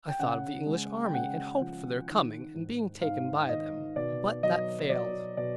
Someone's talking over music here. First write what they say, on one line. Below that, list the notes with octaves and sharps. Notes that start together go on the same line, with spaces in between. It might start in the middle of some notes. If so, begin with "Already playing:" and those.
I thought of the English army, and hoped for their coming, and being taken by them, but that failed.
G5
C#3 F#5
G#3
G5
C#3 F#5
F3
D#3
G#2
G#2 F5
D#3 D#5
B2 D5
F#3 D#5
F#3 D5
B2 D5